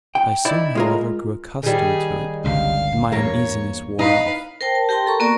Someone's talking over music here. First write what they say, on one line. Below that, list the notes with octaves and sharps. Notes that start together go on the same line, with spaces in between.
I soon, however, grew accustomed to it, and my uneasiness wore off.
G5
D#4 E4 D5
G#3 F4 A#4
D#3 G3 G#4
G1 C#2 G2 F5
E2 G2 A#3 C#5
D#4 B4 F5
A#4 C5 G5 A5
A5
G4 A#4 G5 A5 C6
A4 A#5 C#6
A#3 B3 F#4 A#4 D5